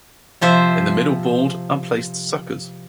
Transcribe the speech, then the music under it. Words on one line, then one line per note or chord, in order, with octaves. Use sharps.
In the middle board are placed suckers.
C3 F3 C5 E5